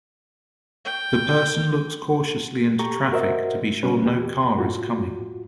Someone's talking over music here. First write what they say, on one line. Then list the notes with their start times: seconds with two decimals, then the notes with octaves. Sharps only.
The person looks cautiously into traffic to be sure no car is coming.
0.85 G5
2.79 G4 A4 A#5 C#6
3.12 F#4 A#4 C5 D#5 E5 F#5
3.83 C#3 G3 C#4 B4
4.02 E2 G4
4.59 A2 F4 F#4